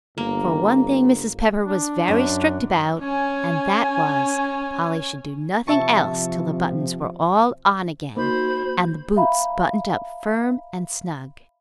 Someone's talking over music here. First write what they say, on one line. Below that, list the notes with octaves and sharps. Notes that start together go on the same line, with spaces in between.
For one thing Mrs. Pepper was very strict about--and that was, Polly should do nothing else till the buttons were all on again, and the boots buttoned up firm and snug.
G1 A#3
D4
F#2
C#4 G#5
C3 F3 E5 A5 C#6
A#3 D#4 F#4 C5 B5
E5 F5 A#5 B5